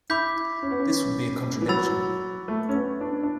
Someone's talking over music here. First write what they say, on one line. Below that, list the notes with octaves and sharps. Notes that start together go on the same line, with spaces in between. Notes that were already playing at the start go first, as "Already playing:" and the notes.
This would be a contradiction.
E4 B5 D6 G6 B6
C#4
B3
C#4
E3
F#3 B5 E6 A6
A3
C#4
B3
D4
D4